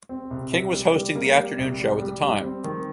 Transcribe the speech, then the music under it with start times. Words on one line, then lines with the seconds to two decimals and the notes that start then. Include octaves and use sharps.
King was hosting the afternoon show at the time.
0.09 C4
0.31 C2
0.52 C3
0.73 G3
0.94 G3
1.15 A#3
1.37 G3
1.58 C2
1.80 G3
2.01 G3
2.22 G3
2.44 C4
2.65 D#3